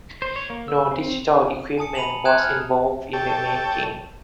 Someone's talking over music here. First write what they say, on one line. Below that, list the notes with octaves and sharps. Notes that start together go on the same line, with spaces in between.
No digital equipment was involved in the making.
C5
C#5
A#3
E6
C4
G#5 A5 D#6 C#7
B5 D#7 F7 F#7
A#5
G#5 D#6 F#6 G#6 E7
F6
G4 A4 C#5 G5 A5